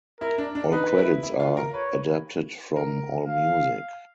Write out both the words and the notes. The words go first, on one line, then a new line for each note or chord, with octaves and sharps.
All credits are adapted from Allmusic.
E4 A#4
D4
D4
D#4 B4
E4
E4
F4
A#4
B4 C#5
A#4
F5